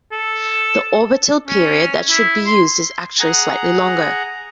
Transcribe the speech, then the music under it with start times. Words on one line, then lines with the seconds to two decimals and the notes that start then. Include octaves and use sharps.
The orbital period that should be used is actually slightly longer.
0.12 A4
1.47 C#4
2.10 E4
2.46 C6
3.19 G#4 F#5 A#5